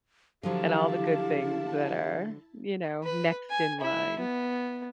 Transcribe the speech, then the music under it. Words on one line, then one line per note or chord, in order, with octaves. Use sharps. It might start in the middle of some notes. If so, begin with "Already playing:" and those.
and all the good things that are, you know, next in line.
D3 F3 F#3 E4 G4 F5 A5
B4
G#5
E4
B3